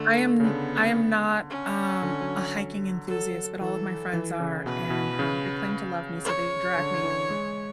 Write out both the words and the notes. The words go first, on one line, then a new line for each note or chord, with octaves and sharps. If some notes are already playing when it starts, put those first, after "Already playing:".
I am n I am not, um, a hiking enthusiast, but all of my friends are, and, um, they claim to love me, so they drag me
Already playing: D3 A3
C#3
D3 B3
C#4
D3
F#3
F#3
F#3 A4
E3 A4
E3
C#3
B2 B4
B2
C#3
C#5
D3
E3
G#3